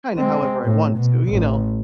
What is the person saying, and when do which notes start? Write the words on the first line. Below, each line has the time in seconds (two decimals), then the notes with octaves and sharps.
kinda however I want to, you know,
0.17 G#3 C4
0.65 A2
0.96 B2
1.28 A1